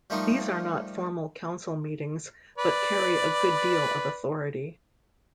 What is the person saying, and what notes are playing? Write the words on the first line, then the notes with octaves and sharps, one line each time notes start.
These are not formal council meetings, but carry a good deal of authority.
F3 G3 A3 A#3 D#4 F4
B4 D5